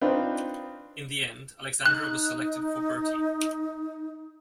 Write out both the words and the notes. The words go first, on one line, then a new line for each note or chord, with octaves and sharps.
In the end, Alexandra was selected for Bertie.
C4 D4 D#4 F4 B4
D#4 F#6